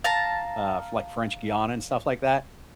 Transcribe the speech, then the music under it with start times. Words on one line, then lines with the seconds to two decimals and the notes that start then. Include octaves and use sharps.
uh, like, French goan and stuff like that.
0.04 F5 A5 A#5